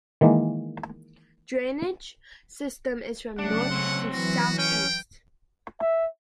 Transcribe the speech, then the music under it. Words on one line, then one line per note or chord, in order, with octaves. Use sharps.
Drainage system is from north to south-east.
D#3 E3 G#3 A#3
C#3 F#3 A3 D4 F#5
C4 C#5
E3 F#3 F#4
C#4 G5
E5